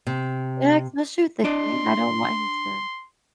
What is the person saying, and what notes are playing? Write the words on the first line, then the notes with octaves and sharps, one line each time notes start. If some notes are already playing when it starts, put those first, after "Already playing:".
Yeah, especially with a kid. And I don't want him to
C3
D4 D5 D#5 C6